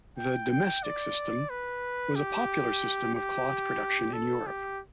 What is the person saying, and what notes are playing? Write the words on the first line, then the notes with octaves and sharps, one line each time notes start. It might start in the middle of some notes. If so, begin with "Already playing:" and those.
The "domestic system" was a popular system of cloth production in Europe.
G5
G5
D5
B4
G4
G4
A4
G4